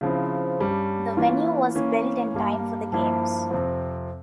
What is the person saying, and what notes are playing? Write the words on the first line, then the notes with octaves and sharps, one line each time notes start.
The venue was built in time for the Games.
C#3 F3 C4 E4
G2 G3 C#4
E3 A#3 C#4 F4
E3 A#3 C#4
G2 G3 A#3
G2 F3 A#3 E4
F2 C3 F3 C4